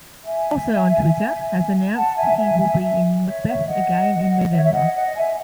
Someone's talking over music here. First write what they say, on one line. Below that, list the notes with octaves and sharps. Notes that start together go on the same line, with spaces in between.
Also on Twitter has announced he will be in Macbeth again in November!
E5 G#5
F#5 A5
E5 G#5
E5 G#5
E5 G#5
E5 G#5
C#5 E5
C#5 E5
D#5 F#5
C#5 E5
E5
D#5 F#5
D#5 F#5
E5 G#5